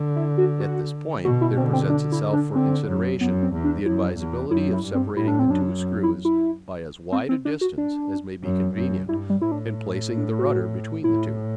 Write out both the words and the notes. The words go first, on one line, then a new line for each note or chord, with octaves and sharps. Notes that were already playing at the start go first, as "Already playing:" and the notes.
At this point there presents itself for consideration the advisability of separating the two screws by as wide a distance as may be convenient and placing the rudder between the two.
Already playing: D3
E4
F#4
F#4
B2 F#4
E4
D3 C4
C4
D4
E4
D4
D3 C4
F#2
F#2 B3
C4
E2
D4
F#2 E4
E2
F#2 E4
E4
G2
C4
A2 E4
D4
C4
F#2 D4
E4
E4
C4
C4
D4
F#4
D4
F#2
F#2
G2 E4
G3
A2 E4
D4
D4
F#4
A2 E4